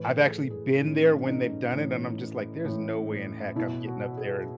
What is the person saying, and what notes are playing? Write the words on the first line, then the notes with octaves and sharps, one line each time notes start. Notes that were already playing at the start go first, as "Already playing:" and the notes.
I've actually been there when they've done it, and I'm just like, "There's no way in heck I'm getting up there."
Already playing: A2 E3 B4
G#4
A4
G#4
A2 E3 C#4
C#4
D#4
A2 E3
A2 E3
B2 E4
F#4
G#4